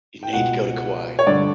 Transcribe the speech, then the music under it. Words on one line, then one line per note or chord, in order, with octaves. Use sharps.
You need to go to Kauai.
G5
C#2 B2 F#5
C#5
G2 D3 D5